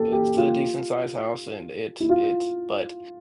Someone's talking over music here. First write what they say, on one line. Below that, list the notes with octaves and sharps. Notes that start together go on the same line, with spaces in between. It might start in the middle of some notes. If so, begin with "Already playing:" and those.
it's a decent-sized house, and it it but
Already playing: G4 A4
G4
F4
E4
F4